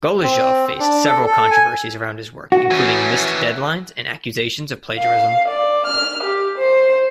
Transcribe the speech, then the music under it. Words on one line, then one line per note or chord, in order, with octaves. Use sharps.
Golijov faced several controversies around his work, including missed deadlines and accusations of plagiarism.
C4
D4
A4
A4
G#5
F#4
E3 C#4
F5
D5
F6
G4
C5